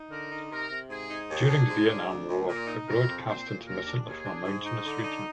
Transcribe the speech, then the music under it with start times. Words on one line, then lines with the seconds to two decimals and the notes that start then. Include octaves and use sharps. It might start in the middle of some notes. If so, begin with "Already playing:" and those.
During the Vietnam War it broadcast intermittently from a mountainous region.
Already playing: D#4
0.10 D3 A#4
0.31 D#4
0.51 C3 A#4
0.70 C3
0.89 G#2 G#4
1.10 D#4
1.29 D#2 G#4
1.49 D4
1.69 G#2
1.88 D4
2.08 D2
2.29 D2
2.48 A#2 A#4
2.67 D#4
2.88 F2 A#4
3.08 C4
3.26 A#2 C5
3.46 A#2
3.66 D#2 A#4
3.86 D4
4.06 D#2 G#4
4.25 D4
4.45 G#2
4.65 D#4
4.85 D3
5.04 D#4